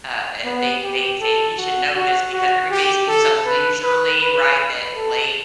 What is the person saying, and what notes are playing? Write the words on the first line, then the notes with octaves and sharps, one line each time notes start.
uh, er, they they they, usually know this because everybody seems so leisurely, right, that late
B3
G4
A4
F#4
F#4
F#4
G4
A4
B4
B4
B4
A4